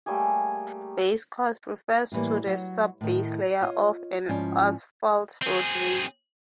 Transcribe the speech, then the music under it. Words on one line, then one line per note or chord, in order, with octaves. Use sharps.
"Base course" refers to the sub-base layer of an asphalt roadway.
G3 A3 A#3 G#4
A2 D3 E3 G3 A#3
F#3
A2 D#3
F4 C#5 D#5
G#2 F3 C#4 E4 D5
C4 G#4